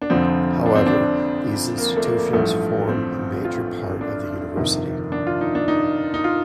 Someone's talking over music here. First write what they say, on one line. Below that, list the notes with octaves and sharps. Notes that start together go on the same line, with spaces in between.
However, these institutions form a major part of the University.
D4
F1 F2 D3 F3 C4
D4
C4
D4
A#3
A3
A#3
A1 G2 F3 A3
C4
F4
D4
G1 F2 C3 D#3
D4
F4
D#4
D4
D#4
D#4
F4